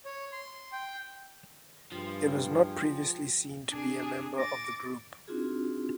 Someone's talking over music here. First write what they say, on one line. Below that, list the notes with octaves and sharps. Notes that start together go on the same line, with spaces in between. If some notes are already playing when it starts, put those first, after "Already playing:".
It was not previously seen to be a member of the group.
C#5
C6
G5
G2 F3 F4 G#4 G5
D4 G#4
D6 A6 A#6
C4 D4 D#4 F4 F#4 G#4